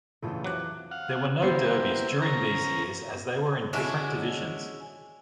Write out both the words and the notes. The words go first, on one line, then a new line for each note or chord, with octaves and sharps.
There were no derbies during these years as they were in different divisions.
A#1 F2 C#3 E3 A3 F4
C3 F#3 D6 F#6
F5 F#5
A#3 B3 E4 G4 C5
C#4 A#4 A#5
G#3 C#4 D4 E4 F#4